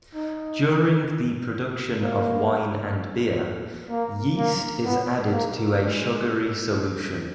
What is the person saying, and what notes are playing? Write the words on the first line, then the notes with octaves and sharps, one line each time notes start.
During the production of wine and beer, yeast is added to a sugary solution.
D#4
A#3
A#3
A#3
B3
A#3
G#3